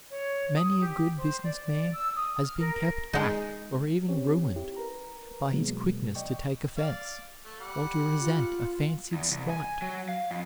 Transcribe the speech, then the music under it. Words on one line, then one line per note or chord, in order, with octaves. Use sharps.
Many a good business man has been kept back, or even ruined, by his quickness to take offense, or to resent a fancied slight.
C#5
D#6
G4
C5
D5
E6
D#6
F6
A#4
G#3 D#4
C4 C#4 G4 C#5
E4 G4
A#4 B4 A#5
B2 E3 F#3 G#3 A#3 B3
D5 D#5 G5 C#6
D5 F5
A3
G3 F#5
F4
E2
C2
G#5
F#3
F5
F2